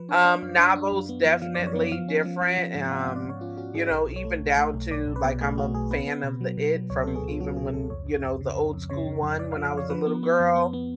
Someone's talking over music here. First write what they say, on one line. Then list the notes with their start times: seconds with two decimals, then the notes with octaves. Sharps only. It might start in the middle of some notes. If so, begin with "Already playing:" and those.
um, novels, definitely different, um, you know, even down to like I'm a fan of the It from even when, you know, the old school one when I was a little girl,
Already playing: F3 B4
0.09 D4 C#5
0.25 D4 D5
0.42 F#2 F5
0.58 D4
0.76 D4
0.92 F#2
1.09 B3
1.25 F3
1.42 F3 F5
1.54 F#2 D5
1.67 C#5
1.76 B3
1.91 F3 F5
2.08 C#4
2.25 F3
2.41 F3
2.58 F3
2.75 G#2
2.91 F3 F#5
3.04 G#2 F5
3.16 D5
3.25 G#2 C#5
3.41 C#4 F4
3.57 C#4 F#4
3.74 G#2 G#4
3.91 B1 A4
4.08 B1
4.16 C#5
4.25 A3
4.41 B1
4.58 A3
4.74 B1
4.91 B1 D5
5.07 B1
5.16 B4
5.24 B2
5.41 A3 G#4
5.58 A3 F#4
5.74 B1 G#4
5.91 B3 B4
6.07 B3
6.24 B2
6.41 F#3
6.57 B2
6.74 F#3
6.90 C#2 C#5
7.03 B3 A4
7.15 G#4
7.24 C#2 F4
7.40 F#3 F#4
7.56 B2 G#4
7.74 C#2 A4
7.90 F2 C#5
8.07 F2
8.23 F2
8.41 C#3
8.56 F2
8.73 F2
8.90 C#3 C#5
9.07 C#3
9.23 F2
9.39 F2 D5
9.52 F5
9.56 F3
9.65 F5
9.74 F2 C#5
9.90 F3 B4
10.07 B3
10.23 B3
10.40 F2
10.56 B3
10.73 B3